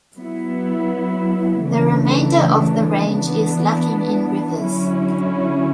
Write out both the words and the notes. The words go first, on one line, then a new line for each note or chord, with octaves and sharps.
The remainder of the range is lacking in rivers.
F#3 B3 E4
C#3 E3 A3 D4
E3 B3 D4
D3 F#3 C#4 E4